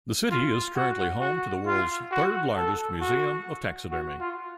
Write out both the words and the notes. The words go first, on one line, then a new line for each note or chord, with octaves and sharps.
The city is currently home to the world's third largest museum of taxidermy.
F4
F#4
F#4
F4
F#4
A4
F#4
F#4
F4